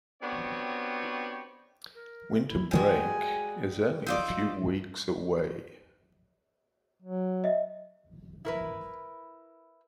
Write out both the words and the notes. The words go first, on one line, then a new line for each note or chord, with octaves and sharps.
Winter break is only a few weeks away!
B3 C4 D4 F#4 G4 C#5
A#4
E4
G3 G#3 F#4 G#5
D#4 F4 D5 E6
F#3
D#5 E5
E4 A#4 B4